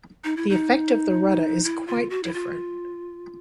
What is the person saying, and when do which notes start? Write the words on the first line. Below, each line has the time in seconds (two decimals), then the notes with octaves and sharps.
The effect of the rudder is quite different.
0.24 D#4
0.37 E4
0.49 D#4
1.64 E4
1.87 F4
2.10 F#4
2.23 E4
2.34 F4